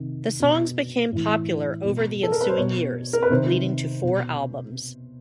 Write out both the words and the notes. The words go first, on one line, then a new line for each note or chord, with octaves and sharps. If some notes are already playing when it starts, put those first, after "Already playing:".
The songs became popular over the ensuing years, leading to four albums.
Already playing: C3 D#3
B2
A2 E3
B2
A4
A#4
B4
C5
B2 C#5
A#4
B4
C3 D#3 C5
B2